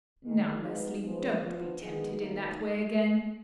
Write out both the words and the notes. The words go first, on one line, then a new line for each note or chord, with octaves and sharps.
Now, Leslie, don't be tempted in that way again.
D#3 G#3 D#4
G#3 B3 D#4
F3 G#3 B3
F3 B3 F4
D#3 G#3 B3 D#4 G#4
D#3 F#3 A#3 D#4